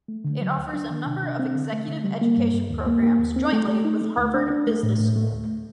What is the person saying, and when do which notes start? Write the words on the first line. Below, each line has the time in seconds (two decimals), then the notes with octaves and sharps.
It offers a number of Executive Education programs jointly with Harvard Business School.
0.08 A3
0.24 D3
0.41 F#3
0.57 D2
0.74 D4
0.90 D#3
1.06 C3
1.23 D4
1.39 C4
1.56 D3
1.72 A3
1.88 D3
2.04 G3
2.21 A#3
2.37 G2
2.54 G2
2.70 D#2
2.86 A#3
3.03 A#3
3.20 D#2
3.36 C4
3.52 A3
3.68 A3
3.85 D#4
4.01 A3
4.17 D2
4.34 D4
4.50 D4
4.67 A3
4.83 A2
4.99 A2
5.16 A3
5.32 D2